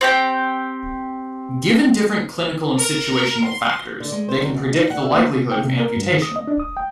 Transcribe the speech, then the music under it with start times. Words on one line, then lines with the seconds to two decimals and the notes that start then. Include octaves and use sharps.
Given different clinical and situational factors, they can predict the likelihood of amputation.
0.01 C4 G4 G5
2.78 A#4
3.44 C6
4.00 D3
4.12 G#3
4.29 C5
4.40 F#3
4.54 F#2
4.74 D#4
4.90 F#5
5.02 E5
5.15 A#3
5.52 G5
5.65 C3
5.80 A#4
5.97 G2
6.10 D#3
6.22 D#6
6.36 D#5
6.47 D4
6.60 D#6
6.77 G5